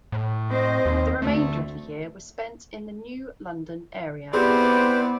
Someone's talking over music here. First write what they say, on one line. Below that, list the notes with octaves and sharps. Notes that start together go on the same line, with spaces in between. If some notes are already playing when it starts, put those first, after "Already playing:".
The remainder of the year was spent in the New London area.
A2
C4 C5 D#5
D#2
D2 A3
B3 C4 E4 G4 G#4 B4 C5 D5